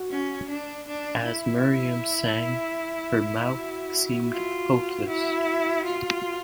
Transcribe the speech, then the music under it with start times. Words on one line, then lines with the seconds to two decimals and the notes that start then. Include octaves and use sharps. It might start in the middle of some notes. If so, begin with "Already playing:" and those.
As Miriam sang her mouth seemed hopeless.
Already playing: F#4
0.10 C#4
0.48 D4
0.87 D4
1.25 E4
3.54 F#4
4.31 F4
5.08 E4
5.84 F4